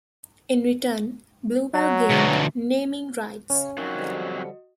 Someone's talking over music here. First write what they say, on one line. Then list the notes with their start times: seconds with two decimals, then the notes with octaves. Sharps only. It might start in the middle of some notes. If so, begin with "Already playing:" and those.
In return, Blue Bell gained naming rights.
1.74 F#3
2.10 D2 B2
3.50 C#3 C#4 C#5
3.77 F2 F#3 D#4 F#4 A#4
3.95 D3 F3 G3 F#4 D#5